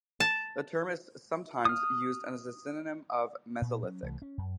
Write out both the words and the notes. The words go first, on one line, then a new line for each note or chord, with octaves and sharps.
The term is sometimes used as a synonym of "Mesolithic".
A5
D#6 F6
A#2 B3
F#3 C#4
C2 E3 A3
C#4
F#2